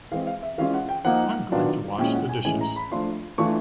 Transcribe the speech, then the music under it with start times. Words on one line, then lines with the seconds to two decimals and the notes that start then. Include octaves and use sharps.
I’m going to wash the dishes.
0.12 E3 G#3 C4 F5
0.27 F5
0.43 E5
0.58 E3 G#3 C#4 F4 F5
0.74 F#5
0.89 G5
1.05 F3 A#3 D#4 F#5
1.52 D#3 F#3 B3 D4 F4
1.98 A#2 F3 G#3 C#4 E4 G5
2.14 F#5
2.29 G#5
2.45 A2 E3 G#3 C#4 E4 G#5
2.61 A#5
2.76 B5
2.92 F3 A3 D4 F4 C6
3.38 E3 A3 D4 F4 C#6